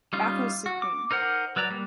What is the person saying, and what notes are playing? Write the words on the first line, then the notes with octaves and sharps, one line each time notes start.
Bathos supreme.
G3 C#4 D#4 F4
F#4
D6
D#4 A#4 C5 F#5
F#3 B4 D5 A#5
G3 A#3